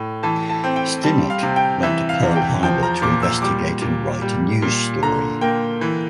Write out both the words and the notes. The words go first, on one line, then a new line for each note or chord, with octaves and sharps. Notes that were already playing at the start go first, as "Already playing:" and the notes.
Stinnett went to Pearl Harbor to investigate and write a news story.
Already playing: A2
E3 A5
A5
C4
G5
G3 A5
F5
C3
G5
E3 E5
F5
E2
G5
F3 G5
A#5
A#2 D6
E6
G3 D6
A#2
G3
A#2
D3 A#5
A#3 G5
E3